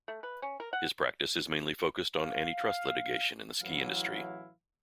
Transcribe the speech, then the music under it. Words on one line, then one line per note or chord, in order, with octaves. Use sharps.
His practice is mainly focused on antitrust litigation in the ski industry.
A3
B4
C#4
A#4
F#5
F5
A1 E3 F#3 E4 G#4 F5